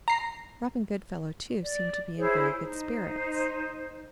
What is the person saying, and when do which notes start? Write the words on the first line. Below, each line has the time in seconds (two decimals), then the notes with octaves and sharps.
Robin Goodfellow, too, seemed to be in very good spirits.
0.08 A#5 C7
1.63 D5
2.17 E4 G#4 C5 C#5
2.61 D#4 C5